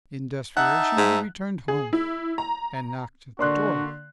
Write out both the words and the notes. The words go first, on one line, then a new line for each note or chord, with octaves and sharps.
In desperation, he returned home and knocked at the door.
D#4 E5 F#5 A5 F#6
G#2
G#4
E4
A#5
D3 A#3 D4 F#4 D5 C6 F#6